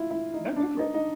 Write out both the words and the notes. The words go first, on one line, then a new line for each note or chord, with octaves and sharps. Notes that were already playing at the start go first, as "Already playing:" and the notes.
No, go for it.
Already playing: E4 F4
E4
D#4
D4
D#4
D#4